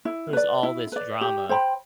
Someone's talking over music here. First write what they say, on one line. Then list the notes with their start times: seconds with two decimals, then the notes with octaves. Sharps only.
"There's all this drama."
0.05 E4
0.33 B4 D5
0.63 E4
0.92 B4 D5
1.21 G4
1.49 C5 G5 B5